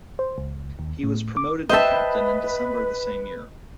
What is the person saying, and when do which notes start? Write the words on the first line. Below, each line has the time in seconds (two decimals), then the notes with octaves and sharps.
He was promoted to captain in December the same year.
0.19 C5
0.38 C#2
0.79 D#2
1.04 A2
1.37 D6
1.69 B4 C5 D#5 E5 G5 A5